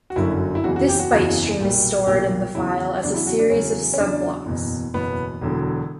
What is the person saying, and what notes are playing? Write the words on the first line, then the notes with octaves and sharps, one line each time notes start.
This byte stream is stored in the file as a series of "sub-blocks".
F#4
G1 F#2 D3 F#3 E4
E4
F#1 E2 C#3 E3 F#4
F#4
G4
F#4
F#1 E2 C#3 E3
B1 A#2 G3
B1 A#2 G3 G4
E2 C#3 F#3 E4
E2 C#3 F#3 D4
E4
F#4
D4
E2 C#3 F#3 C#4
C#4
E2 C#3 F#3 D4
F#1 E2 B2
F#1 E2 B2 B3
E1 E2 D3 F#3